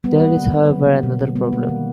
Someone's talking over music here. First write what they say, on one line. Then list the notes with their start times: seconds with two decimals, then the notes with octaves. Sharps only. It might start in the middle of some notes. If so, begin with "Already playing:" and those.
There is, however, another problem.
0.04 G3 B3
0.21 A#3
0.37 D3
0.53 D3
0.70 F#3
0.86 A#3
1.03 B2
1.20 B2
1.36 G3 B3
1.53 A#3
1.69 D#3